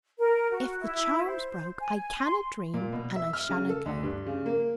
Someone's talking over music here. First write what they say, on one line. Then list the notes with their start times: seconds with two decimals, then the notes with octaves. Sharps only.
'If the charm's broke, I canna dream, and I shanna go.'
0.19 A#4
0.51 F#4
0.81 E4
1.26 C5
1.80 G#5
2.21 C6
2.74 A#2
2.93 B2
3.16 E5
3.33 F6
3.49 C#3
3.69 A4
3.86 D2
4.03 G2
4.27 C#3
4.46 A#3